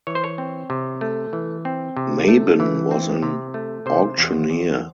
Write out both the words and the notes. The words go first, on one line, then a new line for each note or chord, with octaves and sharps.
Mabon was an auctioneer.
E3 C#5
C5
C#5
C4
C3
A3
E3
C4
C3
A3
E3
C4
C3
A3
C3 C5
E2
E2